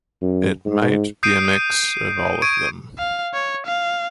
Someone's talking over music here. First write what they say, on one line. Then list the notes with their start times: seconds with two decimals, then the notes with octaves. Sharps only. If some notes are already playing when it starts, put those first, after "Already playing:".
It might be a mix of all of them.
0.22 F#2
0.65 G#2
1.23 D#6 G6 C7 D7 D#7
2.42 C#6 G#6 D7 D#7
2.98 F5
3.34 C#5
3.66 F5